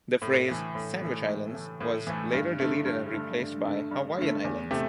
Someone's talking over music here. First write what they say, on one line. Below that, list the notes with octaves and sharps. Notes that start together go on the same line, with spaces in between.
The phrase "Sandwich Islands" was later deleted and replaced by "Hawaiian Islands".
A2
E3 A3
A2
E3 A3
A2
E3 A3
A2
E3 A3
G2
D3 A3
G2
D3 A3
G2
D3 A3
G2
D3 A3
E2
C3 A3 E4 G4